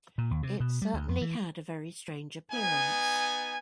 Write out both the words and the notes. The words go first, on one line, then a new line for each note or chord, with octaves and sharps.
It certainly had a very strange appearance.
A#2
D#2
C3
B2
G3
D2
F2
E3
B3 D#4 G#5